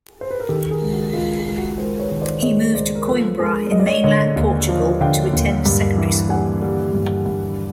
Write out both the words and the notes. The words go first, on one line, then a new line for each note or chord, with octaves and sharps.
He moved to Coimbra in mainland Portugal to attend secondary school.
C5
B4
A#4
D#3 G4 A4
G#4 A#4
C#2
F#4
C#2 F4
C#2
F#4
G#3 A#4 C5
B4 C#5
D#3
C5 D5
G#3 C#5 D#5
C#2 C5 D5
A#4
F3 A4 B4
G#3 G#4 A#4
G#3 D#5
D5
C#5 D#5
D3 C#5 D#5
D#2
F3
D3 F5 G5
D#2
G2
E3
G3 F#5 G#5
G3
G2
G2